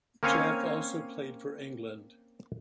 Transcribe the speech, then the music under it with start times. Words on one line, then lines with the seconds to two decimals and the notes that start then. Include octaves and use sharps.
Geoff also played for England.
0.23 A#3 C4 C#4 C#5 F5 G#5